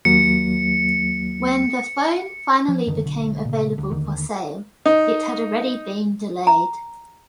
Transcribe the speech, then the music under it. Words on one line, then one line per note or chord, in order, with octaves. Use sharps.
When the phone finally became available for sale, it had already been delayed.
D#2 F#3 A#3 C#7
F3
F#2 D3 D#3
B1 D3
A#2 C#3
D2
D#2 D3 D#3
D#4
A#5